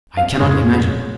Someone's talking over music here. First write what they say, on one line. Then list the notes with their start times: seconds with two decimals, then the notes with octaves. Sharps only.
I cannot imagine.
0.17 F5
0.40 F1 G#3 C#5